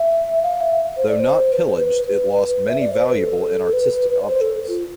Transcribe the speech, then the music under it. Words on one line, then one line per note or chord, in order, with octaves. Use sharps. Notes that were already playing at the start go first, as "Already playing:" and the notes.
Though not pillaged, it lost many valuable and artistic objects.
Already playing: E5
F5
E5
C5
D5
C5
B4
C5
B4
B4
E5
D5
C5
B4
A4
B4
D5
C5
A4
F4